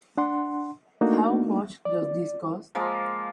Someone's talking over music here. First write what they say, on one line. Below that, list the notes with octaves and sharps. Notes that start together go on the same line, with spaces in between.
How much does this cost?
D4 F#5 C6
A3 A#3 D4 D#4 F#4
D5
F3 G#3 A#3 F4